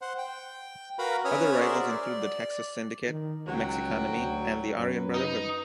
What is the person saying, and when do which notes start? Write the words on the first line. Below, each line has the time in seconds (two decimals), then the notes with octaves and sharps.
Other rivals include the Texas Syndicate, Mexikanemi and the Aryan Brotherhood.
0.02 C5 F#5
0.18 G5
0.99 F#4 A#4 B4 F5 A#5 B5
1.25 C#4 B4 C#5 E5 D#6 F6
1.60 F#4 G#4 A#4 C5 D5 E5
1.88 D5
3.08 D#3
3.47 C#2 F#3 F#4 G5
4.08 D2
4.79 F#2 B4
5.14 D#4 D#5